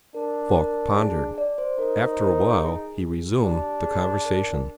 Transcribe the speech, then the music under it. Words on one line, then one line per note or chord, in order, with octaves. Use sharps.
Falk pondered; after a while he resumed the conversation.
D4 A#4
A#4
G#4
D5
C5
D#4 A#4
C5
A#4
G#4
D4 G4
G#4
A#4